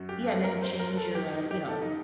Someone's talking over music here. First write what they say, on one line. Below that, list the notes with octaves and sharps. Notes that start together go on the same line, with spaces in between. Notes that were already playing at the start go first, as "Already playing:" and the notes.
Yeah, and then you change your, uh, you know,
Already playing: F#2 F#3
G4
A4
A#4
C5
A#4
A4
G4
D#4
G4
A4
D#4